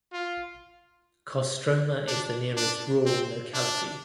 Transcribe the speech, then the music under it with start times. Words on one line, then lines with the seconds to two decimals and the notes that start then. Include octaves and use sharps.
Kostroma is the nearest rural locality.
0.13 F4
2.08 D4
2.56 D4
3.05 C4
3.54 D4